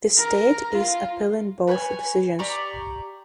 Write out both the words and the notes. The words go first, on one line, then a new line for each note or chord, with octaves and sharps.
The state is appealing both decisions.
A#4
F4
B4 C#5 G5 G#5
G#5
G4 D5 A#5 C#6